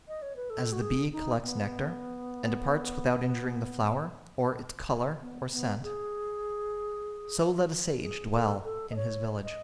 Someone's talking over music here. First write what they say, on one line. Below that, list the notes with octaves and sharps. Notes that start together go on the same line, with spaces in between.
As the bee collects nectar and departs without injuring the flower, or its colour or scent, so let a sage dwell in his village.
D#5
C#5
B4
A4
F#4
G#4
D#4
B3
B3
B3
G#4
G#4
A4
A4
D#5
C#5
D#5